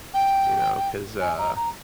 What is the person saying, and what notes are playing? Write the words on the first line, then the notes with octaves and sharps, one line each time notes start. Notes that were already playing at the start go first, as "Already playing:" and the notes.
you know? 'Cause, uh
G5
G#5
A#5
A#5